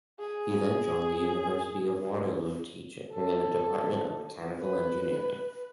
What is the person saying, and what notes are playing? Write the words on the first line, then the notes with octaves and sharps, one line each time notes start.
He then joined the University of Waterloo teaching in the department of mechanical engineering.
G#4
A4
B4